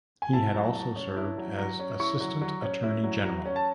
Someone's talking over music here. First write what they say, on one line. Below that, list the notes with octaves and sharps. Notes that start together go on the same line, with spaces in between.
He had also served as Assistant Attorney General.
G#5
E4 A5
F#3
F#3
C#4
E4
F#3
F#3
C#4
E4 C#6
F#3
F#3
C#4
E4
F#3
F#3
C#4
A5